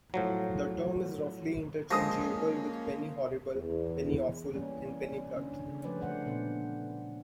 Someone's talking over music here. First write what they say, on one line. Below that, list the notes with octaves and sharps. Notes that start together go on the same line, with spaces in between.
The term is roughly interchangeable with penny horrible, penny awful, and penny blood.
A2 F3 F#3
F3 G#3 A#3 C#4 C5 D#6 A#6
E2
E3 G3 A#3 C#4
D3 C#4
C#3
F3 G3 A3 B4 C5 D5
D3 A3 C5 F#5
A#2 D3 B3 C5